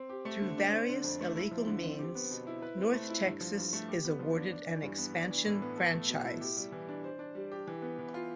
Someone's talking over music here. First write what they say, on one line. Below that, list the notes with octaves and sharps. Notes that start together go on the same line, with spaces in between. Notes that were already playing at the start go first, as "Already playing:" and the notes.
Through various illegal means, North Texas is awarded an expansion franchise.
Already playing: C4
G4
A3
D3
D4
C4
D3
F2
A3
E4
F3
D3
C4
G4
B3
B2
E4
B4
C4
A3
E4
G2
F3
G2
A3
G4
B3
F3
D4
D4
E3
G2
B3
D4
E3
A2
B3
A4
A3
B2
E4
G4
G3
E3
D4
C5
D4
G3
G4
E3
B3
E3
F4